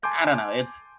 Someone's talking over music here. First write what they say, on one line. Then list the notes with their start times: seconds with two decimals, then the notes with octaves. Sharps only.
I don't know. It's
0.03 G#5 A5 C6 D6 G6